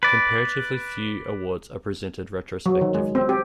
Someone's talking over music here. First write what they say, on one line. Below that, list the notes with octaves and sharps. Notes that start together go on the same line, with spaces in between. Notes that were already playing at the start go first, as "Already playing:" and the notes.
Comparatively few awards are presented retrospectively.
B4 D5
F#3
D#3
G#3
C4
G4